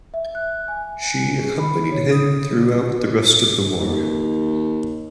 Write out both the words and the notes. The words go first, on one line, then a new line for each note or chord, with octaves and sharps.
She accompanied him throughout the rest of the war.
E5
F#6
G#5
G#4
B5
C#5
D#6
D#2